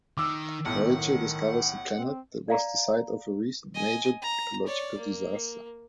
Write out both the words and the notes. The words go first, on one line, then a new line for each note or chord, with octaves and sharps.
"Voyager" discovers a planet that was the site of a recent major ecological disaster.
D#3 D6 E6
B1 A2 D#3 F#5
C4
D5 F5 A#5
D#5 G#5
A#5
C#5 D5
A#3